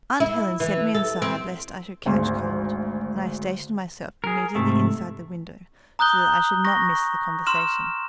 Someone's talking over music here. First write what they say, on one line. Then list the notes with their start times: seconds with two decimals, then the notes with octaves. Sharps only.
Aunt Helen sent me inside lest I should catch cold, and I stationed myself immediately inside the window so that I should not miss the conversation.
0.20 E4
0.60 E3
0.95 A4
1.22 C4
2.06 G#1 D2 G#3 C6
4.24 G#4 A#4
4.55 G#2 C3 A3
5.99 A#5 D#6 F#6 G6 G7
6.65 C#6 A#6
7.47 C6 F6 E7